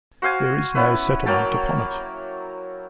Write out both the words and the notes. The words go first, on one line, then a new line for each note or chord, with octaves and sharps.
There is no settlement upon it.
F#4 C5 F5 G#5
B3 C#4 E4 B4
F#3 A#3 G5 A5